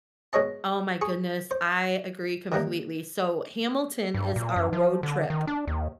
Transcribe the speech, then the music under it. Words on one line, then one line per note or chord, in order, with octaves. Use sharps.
Oh, my goodness, I agree completely. So, Hamilton is our road trip
B2 G#3 C#5 D#5 A5
G#4 C#6
C5
D#3 E3 G3 A#3
G2
A#2
F#2
F3
D3
D#3
D4
D#2